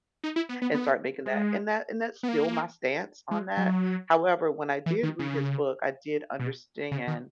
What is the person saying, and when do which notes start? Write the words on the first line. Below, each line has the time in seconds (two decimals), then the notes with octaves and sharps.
and start making that And that and that's still my stance on that. However, when I did read his book, I did understand,
0.24 D#4
0.36 E4
0.49 B3
0.62 B3
0.74 B3
1.26 G#3
2.23 B3
2.29 A#3
3.31 G#3
3.57 F#3
4.86 E3
5.03 D#3
5.19 C#3
6.40 B2
6.91 C#3
7.08 D#3